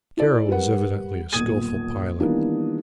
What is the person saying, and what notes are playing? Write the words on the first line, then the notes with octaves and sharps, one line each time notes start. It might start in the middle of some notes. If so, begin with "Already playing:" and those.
Kara was evidently a skilful pilot.
E4 A4 D5
G3 A#4 B4 F#5
D#1 B1 A#2 D#6 G#6 D#7
D#3 E3 G3 A#3 B3 D4